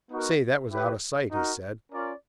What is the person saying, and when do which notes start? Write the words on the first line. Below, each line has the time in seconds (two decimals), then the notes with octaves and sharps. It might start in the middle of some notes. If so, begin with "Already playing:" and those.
"Say, that was out o' sight," he said.
0.10 B3 D#4 F#4 A#4
0.70 E4 G4 B4
1.31 D#4 F#4 A#4
1.92 C#4 F4 A#4 D5